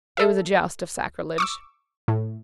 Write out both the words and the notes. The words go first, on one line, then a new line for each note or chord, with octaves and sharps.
It was a joust of sacrilege.
A4 E5
C#6 D6 E6
A2